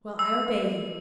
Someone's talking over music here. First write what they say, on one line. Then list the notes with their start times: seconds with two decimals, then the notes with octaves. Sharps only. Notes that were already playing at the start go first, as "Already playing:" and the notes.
"Well, I obey you."
0.19 E6